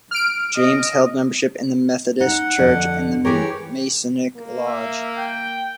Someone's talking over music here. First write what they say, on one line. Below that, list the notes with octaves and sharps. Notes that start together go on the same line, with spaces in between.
James held membership in the Methodist Church and the Masonic Lodge.
F6 D7
D#5
D#4 F#5
F2 D3
E3 G4 G#4 A#4 C#5
A#3
E5
G5